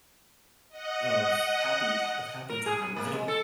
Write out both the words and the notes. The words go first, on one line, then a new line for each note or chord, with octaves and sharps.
of happy ha of happy time. Right?
D#5 F#5
A#4
G#4
B2
A#3
G#3
A4